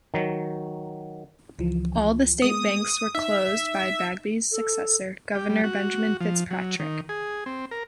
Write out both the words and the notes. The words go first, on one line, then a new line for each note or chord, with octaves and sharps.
All the state banks were closed by Bagby's successor, Governor Benjamin Fitzpatrick.
D#3 F#3
C#2 E3 F3
G#3 A#3 B3 D#6
D#4 E5
A4
G4
G3
F#4
F3
F#3
D#3
G#4
C4
A#4